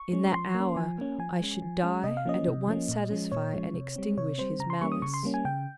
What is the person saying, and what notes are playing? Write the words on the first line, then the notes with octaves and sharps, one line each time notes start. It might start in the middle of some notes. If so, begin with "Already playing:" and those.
In that hour I should die and at once satisfy and extinguish his malice.
Already playing: C#6
G#3 C#4
F3 C6
A#3
C#4
F3 G#5
A#3 C#4
F3 G#5
G#3 C#4
F3
G#3 C#4
C3 D#5
F5
F3 A#3 C#4 D#5
C3
F3 A#3 C#4
A#2
F3 G#3 C#4
A#2 C#5
F3 G#3 C#4
C3
G3 C4
C3 C#5
G3 C4 C5
C#3 A#5
C6
G3 A#3 C#4 C#6
D#6
C#3 C#6
C6
G3 A#3 C#4
G#5
C#3 G5